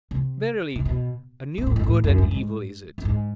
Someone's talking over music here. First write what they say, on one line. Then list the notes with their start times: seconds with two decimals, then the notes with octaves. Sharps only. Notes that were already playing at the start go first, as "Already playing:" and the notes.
Verily, a new good and evil is it!
0.11 C3
0.76 C3
0.85 B2
1.58 A#2
1.67 A2
1.76 G#2
1.84 A2
2.04 F#2
2.18 G2
2.31 G#2
2.98 G2
3.05 G#2